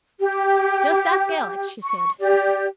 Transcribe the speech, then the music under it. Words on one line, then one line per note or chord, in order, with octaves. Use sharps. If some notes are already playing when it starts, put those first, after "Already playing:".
"Just ask Alex," she said.
G4
C#6
G4 D5